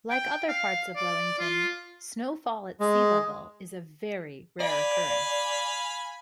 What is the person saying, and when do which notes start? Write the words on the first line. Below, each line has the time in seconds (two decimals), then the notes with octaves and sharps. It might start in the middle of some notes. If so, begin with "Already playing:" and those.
Like other parts of Wellington, snowfall at sea level is a very rare occurrence.
0.10 G5
0.48 F5
0.96 D5
1.39 F4
2.80 G#3
4.60 D5 F5 G#5 B5